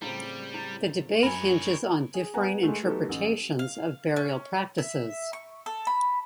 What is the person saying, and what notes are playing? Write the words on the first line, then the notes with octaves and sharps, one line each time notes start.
The debate hinges on differing interpretations of burial practices.
A2 C#3 G3 C4 E4 F4
E4
F#2 A#4 C#5 G#5 B5
G#4
B3 F#5 G#5 A#5
G#3 A3
F#3 A3 B3 D#4 G4 A4
A1
F5
C#4
E5
C#6
A4
B5